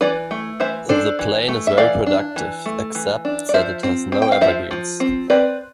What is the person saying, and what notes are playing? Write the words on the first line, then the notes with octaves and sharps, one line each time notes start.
The plain is very productive, except that it has no evergreens.
E3 B4 D5
A3
E3 C5 E5
D4 A4 C5
E3
A3
E5
E3 D5 F5
D4
E3
A3
E3
D4
D5
F3 C5 E5
C4
C4
G5
F5
F3 C5 E5
F3
C4
C4 B4 D5